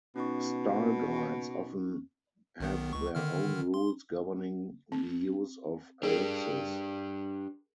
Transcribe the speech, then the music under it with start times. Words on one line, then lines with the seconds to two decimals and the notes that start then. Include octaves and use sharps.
Style guides often have their own rules governing the use of ellipses.
0.16 B2 C#4 D#4 C#6
2.60 B1 D#3 B3
2.93 C#2 C#6
3.15 D3 D#3 F6
3.74 C6
4.92 C4
6.03 D4 G4 G#4 A#4